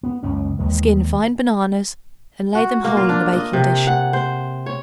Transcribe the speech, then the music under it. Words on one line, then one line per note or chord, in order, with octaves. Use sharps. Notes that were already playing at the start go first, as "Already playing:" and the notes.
Skin fine bananas and lay them whole in a baking-dish.
B3
F#1 C#2 C#3 C#4
D#2 D#3 E3 G#3
F#4
A#3
F4
D4
D#5
C3
F#5
C5
C#5